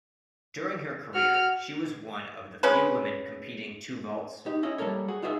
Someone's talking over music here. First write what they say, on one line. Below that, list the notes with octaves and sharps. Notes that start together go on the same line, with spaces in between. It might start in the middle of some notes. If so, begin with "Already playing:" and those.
During her career, she was one of the few women competing two vaults.
F#4 F6
G#3 C#4 B4
D#4 G4
C#4 E4 D#5
G3 A#3 A4 A#4 C#5
F#4 G#4 F#5
D#4 F4 F#4 G#4 D#5 E5